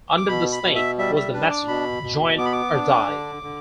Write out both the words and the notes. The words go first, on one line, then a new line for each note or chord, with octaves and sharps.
Under the snake was the message "Join, or Die".
D6
B2 B5
B5
B2
E5
G3 E5
E5
D4 B4
D6
B2 B5
B2
B3 D6
B5
D6
D4
D3
D3